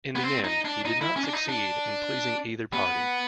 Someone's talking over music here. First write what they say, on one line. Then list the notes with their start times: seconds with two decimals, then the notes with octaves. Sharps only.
In the end, he did not succeed in pleasing either party.
0.15 B3
0.23 C4
0.44 D#4
0.65 D4
0.85 D#4
1.01 E4
1.16 C#4
1.24 D4
1.33 D#4
1.49 D4
2.73 B3